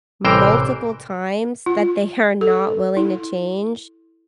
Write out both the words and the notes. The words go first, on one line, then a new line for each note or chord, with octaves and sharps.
multiple times that they are not willing to change,
A1 C3 E3 A#4 C5 G5
F4
A4
E4